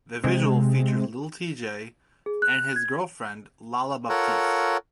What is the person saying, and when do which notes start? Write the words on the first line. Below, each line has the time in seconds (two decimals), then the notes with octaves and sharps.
The visual features Lil Tjay and his girlfriend Lala Baptiste.
0.24 C3 G#3 C4
2.26 G#4
2.42 F#6
2.76 G#6
4.09 F4 A4 A#4 C#5 F#5